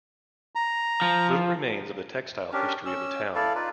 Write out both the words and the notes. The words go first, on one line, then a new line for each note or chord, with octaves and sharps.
Little remains of the textile history of the town.
A#5
F3
C#4 D4 G4 A#4
C#4 E6
E4 A4 D5 F5
D#4 F4 B4 D5